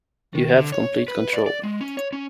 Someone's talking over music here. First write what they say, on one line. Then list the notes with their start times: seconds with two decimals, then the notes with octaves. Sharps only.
You have complete control.
0.35 D#3
0.56 D3
0.72 C#5
1.08 B4
1.33 D5
1.46 D5
1.63 G#3
1.81 C#4
1.97 C#5
2.13 C#4